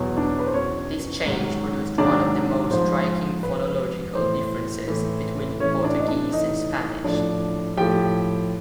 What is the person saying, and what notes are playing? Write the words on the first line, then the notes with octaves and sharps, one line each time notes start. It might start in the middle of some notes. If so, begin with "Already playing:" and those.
This change produced one of the most striking phonological differences between Portuguese and Spanish.
Already playing: E2 B2 F#3
D4 D5
B4
C5
E2 B2 F#3 C#4 C#5
G#2 D#3 F#3
G#2 D#3 F#3 D4 D5
G#2 F3 C5
G#2 F3 B4
A2 E3 C5
A2 E3
A2 E3 C#4 C#5
D4 D5
D#5
D4 D5
A2 E3 D#4 D#5
A2 F3 D4 D5
A2 F3 G4 G5